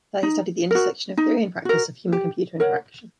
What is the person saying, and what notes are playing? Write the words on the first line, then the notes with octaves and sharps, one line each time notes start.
There, he studied the intersection of theory and practice of human-computer interaction.
D#4
F#4 A#4
D#4
F#4 A#4
G4
A#4 C#5 F#5